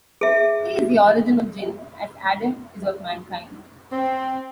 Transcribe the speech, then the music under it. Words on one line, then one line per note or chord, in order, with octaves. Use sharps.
He is the origin of Jinn as Adam is of Mankind.
G#4 E5
C4